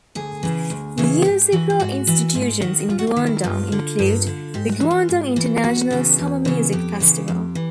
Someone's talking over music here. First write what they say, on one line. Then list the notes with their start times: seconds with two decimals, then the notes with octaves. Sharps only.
Musical institutions in Guangdong include the Guangdong International Summer Music Festival.
0.15 D2 G#4
0.43 C#3 E3
0.70 D2
0.98 C#3 E3
1.25 G#2 G4
1.52 E3 F#4
1.70 F4
1.80 G#2 F#4
2.07 E3
2.35 G#2 F4
2.62 D#3 F#4
2.90 G#2 F4
2.99 F#4
3.07 F4
3.16 D#3
3.26 E4
3.44 G2 F4
3.72 D3
3.99 G2
4.27 D3
4.54 G#2 G4
4.72 F#4
4.81 E3
4.91 F4
5.09 G#2
5.36 E3
5.64 E2 F#4
5.91 C#3 E3
6.18 E2
6.45 C#3 E3
6.72 F2 G4
7.00 C#3 E3
7.28 F2
7.55 E3